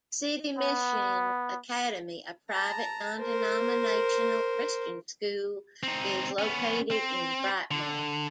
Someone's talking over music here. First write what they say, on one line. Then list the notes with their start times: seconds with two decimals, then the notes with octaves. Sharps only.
City Mission Academy, a private non-denominational Christian school, is located in Brightmoor.
0.58 B3
2.51 A5 A#5
3.21 A#4 C5
5.83 C4 D#4
6.39 B3 C#4
6.91 C4
7.71 D3